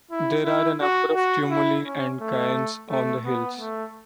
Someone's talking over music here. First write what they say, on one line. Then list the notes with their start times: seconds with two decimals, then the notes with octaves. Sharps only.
There are a number of tumuli and cairns on the hills.
0.11 E4
0.45 E4
0.81 F#4
1.15 F#4
1.51 E4
1.85 C#4
2.21 A3
2.89 A3
3.25 B3
3.59 A3